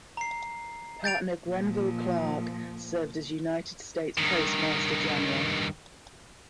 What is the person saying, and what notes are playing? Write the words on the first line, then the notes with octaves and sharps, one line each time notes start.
Partner Grenville Clark served as United States Postmaster General.
A#5 C7
G6 A6 D7 F7
A#2 F3
G2 D#3